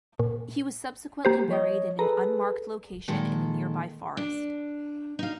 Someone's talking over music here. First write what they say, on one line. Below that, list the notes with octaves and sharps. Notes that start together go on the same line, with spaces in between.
He was subsequently buried in an unmarked location in a nearby forest.
A#2
A#3 G4 C5
F3 C#5 D#5
G#4 A4 B4 A#5
A#2 D#3 G#3 A4
D4
D#4 F5